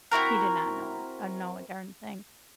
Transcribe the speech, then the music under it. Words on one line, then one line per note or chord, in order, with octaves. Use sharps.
He did not know, uh, know a darn thing.
C4 E4 F#4 A#4